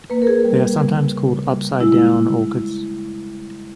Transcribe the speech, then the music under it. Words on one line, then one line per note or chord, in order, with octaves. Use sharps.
They are sometimes called upside-down orchids.
A#3 B4
A#4
G#4
G3
C#3
C#3
G3
G#3 E4